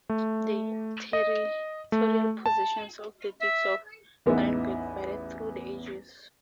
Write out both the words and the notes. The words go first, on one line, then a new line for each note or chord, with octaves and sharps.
The territorial possessions of the dukes of Arenberg varied through the ages.
A3
D#5
A3
A5
E5
A1 E2 B3 D#4 E4 E5